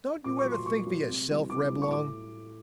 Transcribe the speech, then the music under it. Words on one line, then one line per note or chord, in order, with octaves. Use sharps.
Don't you ever think for yourself, Reblong?
A#2 D6
C#6
F#3
C6
A#2 C#6
F#3
C3
E3 G3
C3 D6
E3 G3
C#6
A2 D6